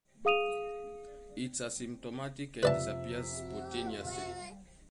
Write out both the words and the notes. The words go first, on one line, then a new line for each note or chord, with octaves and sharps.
It’s asymptomatic and disappears spontaneously.
G#4 F5 D#6 D#7 F7
F2 C3 B4 D5 E5 A5